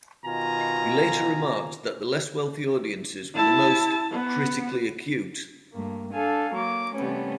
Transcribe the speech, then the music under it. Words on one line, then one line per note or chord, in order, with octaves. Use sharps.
He later remarked that the less wealthy audiences were the most "critically acute".
B2 D#3 F4 G#5 A#5
E4 A5
B3
G2 A3 A#3
D4 A4 F5 G#5
F#3 A#3 D6
C3 E3 G3 A3 B3 C#4